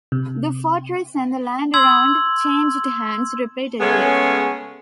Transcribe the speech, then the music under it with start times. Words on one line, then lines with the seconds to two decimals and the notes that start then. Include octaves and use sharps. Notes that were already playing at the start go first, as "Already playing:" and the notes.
The fortress and the land around changed hands repeatedly.
0.12 C3
1.74 C6 E6 G#6 F#7
3.80 C#3 G#3 A3 B3 C#4 G#4